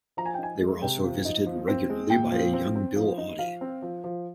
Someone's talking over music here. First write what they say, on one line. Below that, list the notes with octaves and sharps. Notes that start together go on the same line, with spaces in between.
They were also visited regularly by a young Bill Oddie.
F3 A#5
G#5
G5
D#4 G#5
G#3
C3 G5
F3
D#4
F3
C4
G#3
A#2 G5
F3
C4
C4
F3
D#4
F3 F5
C4
F3
F3